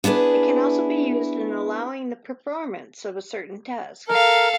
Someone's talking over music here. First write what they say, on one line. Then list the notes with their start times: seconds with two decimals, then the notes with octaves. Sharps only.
It can also be used in allowing the performance of a certain task.
0.04 B3 D4 E4 G#4 B4
4.08 A4 A#4 F5